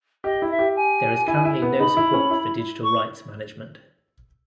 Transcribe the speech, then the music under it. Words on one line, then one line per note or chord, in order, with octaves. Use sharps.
There is currently no support for Digital rights management.
G4 D#5
E4
E5
G4
G#5
E4
E4
B3
D#4 B5
E4
C#4
E4
C#6